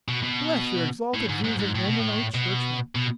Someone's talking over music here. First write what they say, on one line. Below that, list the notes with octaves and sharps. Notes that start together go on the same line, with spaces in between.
Bless your exalted views of woman, O churchman!
B2
B2
A2
G#2
G#2
G#2
A2
B2
A2
B2
B2